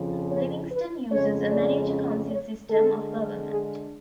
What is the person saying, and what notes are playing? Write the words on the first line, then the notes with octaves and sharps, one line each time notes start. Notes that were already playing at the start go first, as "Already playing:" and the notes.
Livingston uses a manager-council system of government.
Already playing: F2 C#3 F3
C#5
B4
F2 C#3 G#3 C#4 C#5
D5
C#5
D3 G#3 D4 A4
G#4